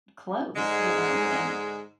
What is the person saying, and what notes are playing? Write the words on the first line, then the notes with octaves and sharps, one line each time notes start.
close, you know, and,
G#2 D3 G#3